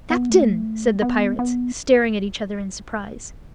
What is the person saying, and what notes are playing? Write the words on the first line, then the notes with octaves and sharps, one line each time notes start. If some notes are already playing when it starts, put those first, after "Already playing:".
"The captain!" said the pirates, staring at each other in surprise.
B3
A3
B3
B3